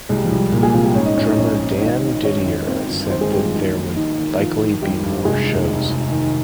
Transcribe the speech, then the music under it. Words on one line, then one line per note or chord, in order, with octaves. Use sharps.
Drummer Dan Didier said that there would likely be more shows.
C2 G#3
G3
F3
C2 G3
C2 A#2 A#3
G#3 G#4
C3 F3 F4
G3 G4
G#2 C#4 C#5
D#4 D#5
A#1 C#4 C#5
D#4 D#5
A#1 C#4 C#5
A#1
G#1 D#4 D#5
D#3
G#1 C#4 C#5
G#1
D#3 C4 C5
G1
D#3 C4 C5
G#3 G#4
G2 G3 G4
F3 F4
D#2 D#3 D#4
D#2
D#3 D#4
D#3
D#3 F3 F4
D#3
G#1 G3 G4
G2
F1 G#3 G#4
D#2
F1
F1
D#3